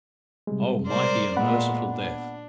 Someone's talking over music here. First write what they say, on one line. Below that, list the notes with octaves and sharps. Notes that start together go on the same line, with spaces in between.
Oh, mighty and merciful Death!
C3 G3 G#3
A#4 C5 D5
A#2 G#3 B3 F#5 B5
D4